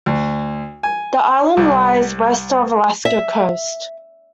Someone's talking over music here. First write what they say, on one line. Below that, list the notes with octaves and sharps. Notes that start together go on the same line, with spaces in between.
The Island lies west of the Alaska coast.
D2
G#5
C2
E5